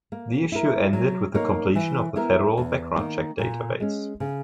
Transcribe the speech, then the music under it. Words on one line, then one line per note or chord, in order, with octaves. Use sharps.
The issue ended with the completion of the federal background check database.
A#3
E4 A#4
F#3
A#3 D#4 A#4 C#5
E3
B3 E4 A#4
E2
D#3 A#3
A#2
G#3 C#4
C#3